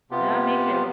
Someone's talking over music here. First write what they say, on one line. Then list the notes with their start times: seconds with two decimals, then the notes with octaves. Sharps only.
Uh, me too.
0.11 C3 B3 F4 G4